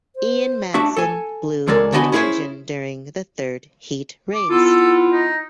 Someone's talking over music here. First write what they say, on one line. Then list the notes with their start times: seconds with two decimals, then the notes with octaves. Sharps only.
Ian Madsen blew an engine during the third heat race.
0.16 C5
0.74 A3 D4 F#4 E5
0.97 A4 G#5
1.67 C#2 C#3 G#3 A4 A#4 D5
1.92 D3 B3 F#4 D#5 G#5 B5
2.12 C#4 E4 G#4 C5 C#5
4.34 D6
4.50 B3 E4 F4 A4
4.66 A4
5.12 D#4